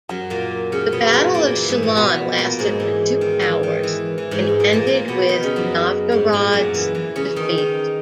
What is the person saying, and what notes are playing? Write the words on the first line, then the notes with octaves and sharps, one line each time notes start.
The Battle of Shelon lasted for two hours and ended with Novgorod's defeat.
F#2 F#3
A#2 A#3
C#3 C#4
B2 B3
A#2 A#3
A#2 A#3
E3
G#2 G#3
A#2 A#3
B2 B3
A#2 A#3
G#2 G#3
E3
D#3
E3
D#3
E3
E3
G#2 G#3
G#3
A#2 A#3
A#2 A#3
A#2 A#3
B2 B3
D#3 D#4
C#3 C#4
F#2 F#3
G#2 G#3
A#2 A#3
F#2 F#3
E3
E3
C#3 C#4
D#3 D#4
D#3 D#4